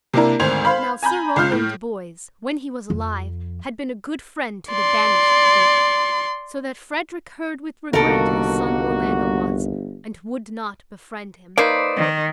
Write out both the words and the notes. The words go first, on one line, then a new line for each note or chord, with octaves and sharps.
Now Sir Rowland de Boys, when he was alive, had been a good friend to the banished Duke, so that Frederick heard with regret whose son Orlando was, and would not befriend him.
C3 A#3 D4 E4 A#4
G#1 D2 C5 G#6 F7
C5 F5 B5
G#5 A#5 B5 G6
C#2 F4 F6 G6
A2
F2
D5 C6
G1 C2 D#3 A#3 F#4 A4 A#4
A#3 D#4 B4 C5 D5
D#3